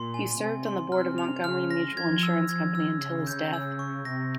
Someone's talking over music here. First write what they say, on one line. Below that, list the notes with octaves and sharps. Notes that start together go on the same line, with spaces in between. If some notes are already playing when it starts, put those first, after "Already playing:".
He served on the board of the Montgomery Mutual Insurance Company until his death.
Already playing: A#2 C6
G#5
C3 G#5
C6
C3 F6
F7
C#3 F6
A#6
F3 G#6
E6
F3 G#6
E6
C#3 E6
G6
E6
C#6
C3 A#6